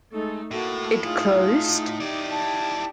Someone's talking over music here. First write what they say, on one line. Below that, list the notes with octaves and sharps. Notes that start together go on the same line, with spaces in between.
It’ closed?
G#3 A3 D#4 A4
A2 A#3 F#4 A4
D#4 F4 G#4
E4 G4 D5
A5